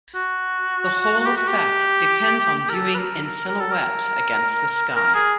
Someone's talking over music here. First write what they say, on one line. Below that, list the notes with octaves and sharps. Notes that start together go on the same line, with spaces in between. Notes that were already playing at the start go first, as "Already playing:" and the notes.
The whole effect depends on viewing in silhouette against the sky.
F#4
G4
F#4
G4
A#4
A4
B4
A#4
A#4
A#4
A4
A#4
A#4
G#4